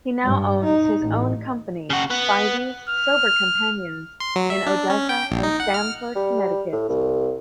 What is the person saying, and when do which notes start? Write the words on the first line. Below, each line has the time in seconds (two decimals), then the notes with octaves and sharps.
He now owns his own company, Spivey's Sober Companions, in Odessa and Stamford, Connecticut.
0.24 G2
0.64 D#4
1.01 A1
1.90 C#3 F#4
2.10 B3
2.89 F6
4.20 C6
4.36 F#3
4.50 E5
4.67 D4
4.90 C#4
5.09 G5
5.31 A#1
5.43 D#4
5.60 F#5
5.74 F6
6.15 G3
6.72 A2
6.89 C2